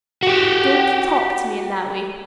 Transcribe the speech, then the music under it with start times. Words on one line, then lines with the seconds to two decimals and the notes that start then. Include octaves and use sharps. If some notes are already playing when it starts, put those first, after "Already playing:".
Don't talk to me in that way.
0.23 F#4 G4